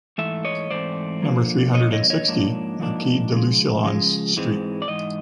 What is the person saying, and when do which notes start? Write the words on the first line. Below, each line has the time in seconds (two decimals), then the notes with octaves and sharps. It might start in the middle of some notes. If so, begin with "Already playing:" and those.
Number three hundred and sixty, Maquis de Lucelans street.
0.18 G#2 E3 A3 E5
0.45 C#5 D#5
0.70 G#2 E3 A3 C4 C5 D5
1.22 D3 F3 A#3
1.75 D3 F3 A#3 C#5 D#5
1.92 C#5 D#5
2.10 C#5 D#5
2.27 G#2 F3 A#3 D4
2.80 G#2 F3 A#3 D4
3.32 C#3 F3 G#3
3.84 C#3 F3 G#3
4.37 G#2 E3 G#3 C4
4.82 D5
4.88 G#2 E3 D#5